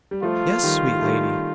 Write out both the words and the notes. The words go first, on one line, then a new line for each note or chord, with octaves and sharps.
"Yes, sweet lady."
G3
F3 A3 F4
D#3 G3
A3
D#3 G3